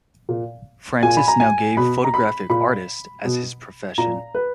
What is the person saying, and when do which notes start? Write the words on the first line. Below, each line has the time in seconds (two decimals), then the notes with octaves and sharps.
Francis now gave 'Photographic Artist' as his profession.
0.29 A#2
1.03 A#2 G#5
1.17 B5
1.28 A#5
1.40 G#5
1.77 B2 B5
2.04 A#5
2.14 B5
2.50 A#2 B5
3.24 B2
3.98 A#2 A#5
4.34 B4